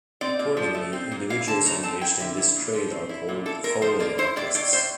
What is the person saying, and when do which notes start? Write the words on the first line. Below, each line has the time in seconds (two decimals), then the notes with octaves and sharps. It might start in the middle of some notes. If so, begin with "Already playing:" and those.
Accordingly, individuals engaged in this trade are called "Foley artists".
0.21 C4 D5
0.39 A#2
0.57 F3
0.75 A3
0.93 C4
1.12 A#2
1.30 E4 F5
1.47 D3 A5
1.65 A3 A#5
1.83 C4 A5
2.01 E4 G5
2.20 D3 E5
2.38 E4
2.56 A#2
2.74 F3
2.91 C4
3.09 E4
3.29 A#2
3.46 E4 A4
3.64 A2 A#4
3.82 F3 C5
4.00 A#3 D5
4.18 E4 C5
4.36 A2 D5
4.55 A2 D5
4.73 A2 C5